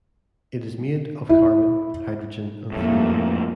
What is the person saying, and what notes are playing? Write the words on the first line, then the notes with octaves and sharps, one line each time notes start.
It is made of carbon, hydrogen, and fluorine.
E4
F2 A2 A3 A#3